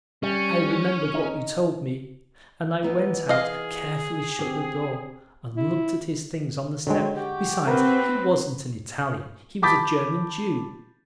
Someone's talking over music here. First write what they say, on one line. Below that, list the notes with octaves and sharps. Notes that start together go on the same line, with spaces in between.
I remembered what you told me, and I went out, carefully shut the door, and looked at his things on the step. Besides, he wasn't an Italian--he was a German Jew.
G3 C#4
D#4
E3 B3 D#4
G#4 D#5 F5
C4 G4
E4
D3 D#3 F#3 G#3 C4
F#4 G4
C4 A#4 B4
A5 B5 D6 G6 A6 B6